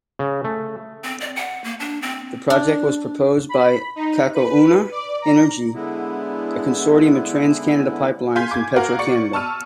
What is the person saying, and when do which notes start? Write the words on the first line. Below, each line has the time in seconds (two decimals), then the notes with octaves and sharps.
The project was proposed by "Cacouna Energy", a consortium of TransCanada Pipelines and Petro-Canada.
0.19 C#3
0.44 A3
1.04 C4
1.21 D5
1.36 F#5
1.64 A#3
1.80 D4
2.02 C4
2.50 D4
3.49 B5
3.96 D#4
4.34 B4
4.92 D5
5.22 A#5
5.75 D3 G#3 B3 E4
8.36 F5 G#5 C6 G6 B6
8.51 D6 G#6
8.76 F#4 A#4 F5
8.99 D5 C#6 C#7
9.33 A5 C#6 E6 F6 D#7